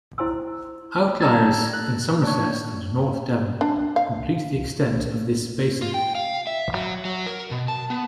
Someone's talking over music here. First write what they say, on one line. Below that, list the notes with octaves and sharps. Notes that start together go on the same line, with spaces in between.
Outliers in Somerset and north Devon complete the extent of this basin.
E4 C5 G#5 C6 E6
A5 A#5 E6 G#6 A6
F#6
D4 C#5
D4
F5
F4
G5
F5
E5
F#3
F#3
A#4
B2
A5
B3